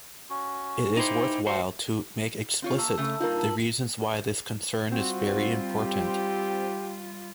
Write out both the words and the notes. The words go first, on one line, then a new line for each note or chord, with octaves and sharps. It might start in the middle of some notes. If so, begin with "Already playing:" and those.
It is worthwhile to make explicit the reasons why this concern is very important.
C#4 F#4
D#4 E4 C5 G5 D6
F#4 C5
C4 F4 C#5
A#3 A5 E6
C#3 A3 E6
G2 A#3 D#4 F4 A#4
A5 F#7
G3 C4 F4 F#4
G4